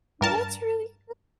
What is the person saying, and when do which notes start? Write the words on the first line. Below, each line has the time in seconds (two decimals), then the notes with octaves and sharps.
Well, that's really
0.21 G2 A#4 A5